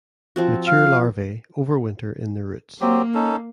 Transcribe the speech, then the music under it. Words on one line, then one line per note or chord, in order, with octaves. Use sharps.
Mature larvae overwinter in the roots.
F3 C4 F#4
F5
F#3 A#3 C4 G4
C#4 D#4 A4